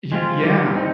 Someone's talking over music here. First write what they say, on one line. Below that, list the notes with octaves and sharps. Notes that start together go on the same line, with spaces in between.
Y yeah,
G#3 C4 F4
G3
C4 D#4